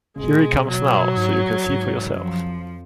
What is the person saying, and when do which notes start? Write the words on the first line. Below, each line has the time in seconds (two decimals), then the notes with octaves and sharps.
Here he comes now, so you can see for yourself.
0.16 C#3 G#3
0.24 B2
0.31 A2
0.39 B2
0.66 F#3
1.17 G#2
1.66 G#2
2.16 F#2 F3
2.41 F2